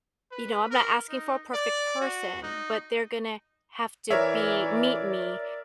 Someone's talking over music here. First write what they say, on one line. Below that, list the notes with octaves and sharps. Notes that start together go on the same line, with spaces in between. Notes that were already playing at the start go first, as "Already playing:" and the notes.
you know, I'm not asking for a perfect person, but they're gonna have to be meet me
B4
A#4
D#4
D5
F#4
D#4
E3 A#4 C#5 D5 E5